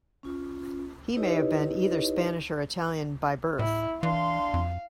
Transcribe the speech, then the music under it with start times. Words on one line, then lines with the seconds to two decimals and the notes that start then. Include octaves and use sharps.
He may have been either Spanish or Italian by birth.
0.23 C#4 F4
1.17 D#4 E4 G4 B4 C#5 D#5
3.59 A2 E4
4.03 E3 D4 F5 C6
4.54 F2